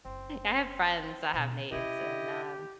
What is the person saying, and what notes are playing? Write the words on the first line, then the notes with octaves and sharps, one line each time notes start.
I have friends that have maids, and, um
F#1 C4
B2 D3
C3 C#4 E4 G4 D#5